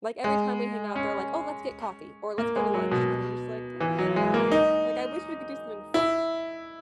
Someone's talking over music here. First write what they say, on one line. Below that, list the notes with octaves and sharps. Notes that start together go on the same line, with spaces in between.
Like, every time we hang out, they're like, "Oh, let's get coffee," or, "Let's go to lunch." And I'm just like, "Yeah." Like, I wish we could do something fun.
G#3
C#4
A#3
G#3
F#3
B2
E3
F#3
G#3
A#3
D#4
E4